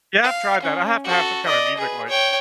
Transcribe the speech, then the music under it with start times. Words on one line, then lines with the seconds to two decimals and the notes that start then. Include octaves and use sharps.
Yeah, I've tried that. I have to have some kinda music, like,
0.24 F5
0.62 C#4
1.05 F#4 A4
1.46 D5 D#5
1.77 G#4 B4
2.07 C#5 G5